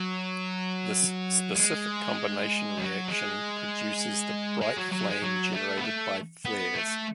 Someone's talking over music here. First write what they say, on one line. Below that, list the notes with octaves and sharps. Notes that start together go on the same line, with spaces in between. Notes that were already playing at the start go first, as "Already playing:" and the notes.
This specific combination reaction produces the bright flame generated by flares.
Already playing: F#3
G#3
F#3
G#3
G#3
F#3
F#3
G#3
F#3
A3
B3
A3
B3
A3